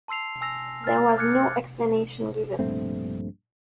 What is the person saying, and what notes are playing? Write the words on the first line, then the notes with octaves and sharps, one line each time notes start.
There was no explanation given.
A5 C6 E6 C7 F7
G#5 E6 A#6 F7
F6 A6
D6 F6 F#6 G#6 C#7
A#1 G2 A3 C4